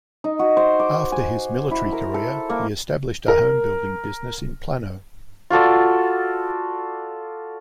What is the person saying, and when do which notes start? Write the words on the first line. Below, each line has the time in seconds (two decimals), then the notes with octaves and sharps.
After his military career, he established a homebuilding business in Plano.
0.24 D#4
0.39 F#4
0.57 C5
0.80 D6
1.12 G#5
1.71 E4
1.93 A#4
2.14 A4
2.50 A#3
3.28 A#4
5.50 F4 F#4 A4 D5